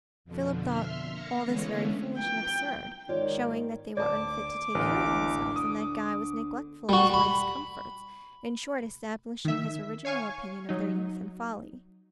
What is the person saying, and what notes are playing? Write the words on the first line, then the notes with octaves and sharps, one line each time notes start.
Philip thought all this very foolish and absurd, showing that they were unfit to take care of themselves, and that Guy was neglectful of his wife's comforts: in short, establishing his original opinion of their youth and folly.
F2 B2 D3 F3
E5 C6 F6
A#3 F5 A#6 C#7
D3 E3 G#3 A3 B3 C#4
G5
G#2 B2 D#3 F4 C#5 D5
D2 D5 A5 D6
A1 D2 D3 B3 B4
D#6
G3 F#4
B5
D#3 E5
C#5 F5 G#5 C#6
F#3 D#4